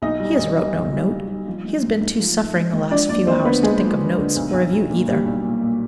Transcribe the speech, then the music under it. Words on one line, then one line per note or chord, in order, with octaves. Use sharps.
He has wrote no note; he has been too suffering the last few hours to think of notes, or of you either.
B1 D#4 D#5
G3
B1
G3
B1
G3
G3
G3
F3
G#3
G#2
G#2
F3
G#2
G#3
G#3
F3 D4 D5
D#2 D4 D5
F3 C4 C5
D3 B3 B4
D#2 G#3 G#4
F3
D3
D3
B1
B1
B1
A#2
A#2 G3 G4
B1
A#2
A#2